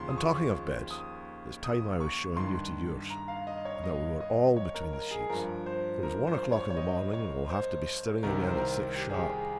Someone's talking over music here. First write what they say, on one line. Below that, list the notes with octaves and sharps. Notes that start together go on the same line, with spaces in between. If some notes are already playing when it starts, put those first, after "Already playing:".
And talking of beds, it's time I was showing you to yours, and that we were all between the sheets, for it's one o'clock in the morning, and we'll have to be stirring again at six sharp.
Already playing: D#2 C#3 F3 A#5 C6
D#6
C#6
D#6
D#6
C#6
G2 D#3 C6
A#5
F5
D#5
C#5
D#5
D#5
C#5
A#4
A#4
G#4
G2 F3 A#4
C5
A#4
C5
C#5
C#5
D#5
C#5
C5
C2 C3 D#3 A#4
C5
A#4
G4
G#4
G4
G#4